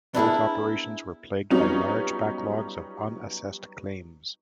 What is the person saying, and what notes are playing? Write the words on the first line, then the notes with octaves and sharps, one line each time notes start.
Both operations were plagued by large backlogs of unassessed claims.
B3 D4 E4 G4 G#4 A#4
F#3 G3 B3 C#4 D#4 F4